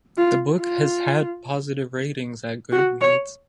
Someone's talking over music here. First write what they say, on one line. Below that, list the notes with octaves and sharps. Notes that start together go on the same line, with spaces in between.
The book has had positive ratings at Goodreads.
F4
F4
F#4
C#5